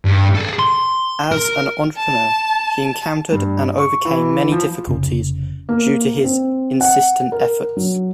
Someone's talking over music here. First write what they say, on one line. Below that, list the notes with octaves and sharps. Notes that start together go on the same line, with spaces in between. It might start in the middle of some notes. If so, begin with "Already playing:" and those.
As an entrepreneur, he encountered and overcame many difficulties, due to his insistent efforts.
G2
G#4 A4
C6
A#4
A5
G2
C#6
E3
F3
F1 C#3
A#3
C4
F#5
A#4
F#3